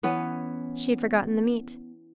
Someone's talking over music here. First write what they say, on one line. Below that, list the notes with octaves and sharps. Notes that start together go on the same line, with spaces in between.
She had forgotten the meat.
E3 B3 C#4